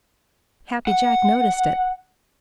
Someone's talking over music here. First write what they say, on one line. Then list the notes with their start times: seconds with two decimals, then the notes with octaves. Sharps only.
Happy Jack noticed it.
0.87 F#5